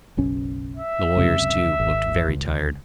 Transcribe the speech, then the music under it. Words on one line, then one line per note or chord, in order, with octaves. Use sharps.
The lawyers, too, looked very tired.
F#1 B1 C#4
E5
C#2 F#2 C3
G#1
C#2